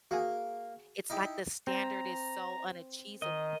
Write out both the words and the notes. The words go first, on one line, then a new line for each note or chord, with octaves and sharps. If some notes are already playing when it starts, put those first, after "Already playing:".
it's, like, the standard is so unachees
A#3 F#4 G#4
D#4 E4 G4
C4 A#5
D#3 D#5